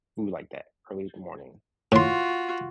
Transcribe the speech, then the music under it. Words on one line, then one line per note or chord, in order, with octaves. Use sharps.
food, like that early in the morning.
A2 F4 F#4 C6